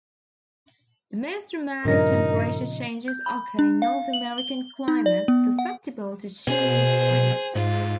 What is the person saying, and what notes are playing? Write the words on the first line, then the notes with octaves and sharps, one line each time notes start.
The most dramatic temperature changes occur in North American climates susceptible to Chinook winds.
G2 A#2 C#3 F3 D#4 A#4 A#6
G6
B5
D4
F5
F#7
G7
D#4
D5
B3
F#5
B2 G#4 C5
G#2 F4